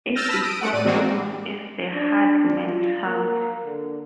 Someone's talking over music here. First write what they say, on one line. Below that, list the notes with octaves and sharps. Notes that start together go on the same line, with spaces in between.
It is also known as The Hardmans' House.
E6 F6 G6 A6 A#6
A5 B5 E6 F6 A#6 B6
D#6 D7
A3 F#5 D7
A2 D5 D#7
E3 G#3 A#3 C4 D4 F#4
D4
F4
A#3
D3